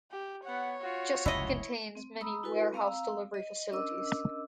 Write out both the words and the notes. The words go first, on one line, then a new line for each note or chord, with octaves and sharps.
Jessup contains many warehouse delivery facilities.
G4
B3 C#5 F#5
F4 F#4
F1 C#2 F#2 E4 D#5
C4
A#5 B5 D#6 E6
E4 F#4 A4 B4 G#5 C6
C4 F5 A#5 E6
D#5
C#4 D4 A#4 D#5 D6 E6